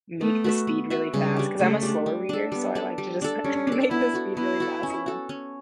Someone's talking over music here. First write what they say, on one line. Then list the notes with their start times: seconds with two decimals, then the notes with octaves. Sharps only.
make the speed really fast, 'cause I'm a slower reader, so I like to just make the speed really fast, and then
0.21 A3 B3
0.44 F#4 B4 E5
0.67 B3
0.90 F#4 B4 E5
1.14 C#3 G3
1.36 G3 D4
1.59 C#3 A3
1.82 G3 D4
2.06 G3
2.29 D4 A4
2.52 G3 B3
2.75 D4 A4
2.98 G3
3.22 D4 A4
3.44 G3 C#4
3.67 D4 A4
3.90 B3 E4
4.14 F#4 A4
4.37 B3 E4
4.60 F#4 A4
4.83 C#4
5.06 F#4 A4
5.29 C#4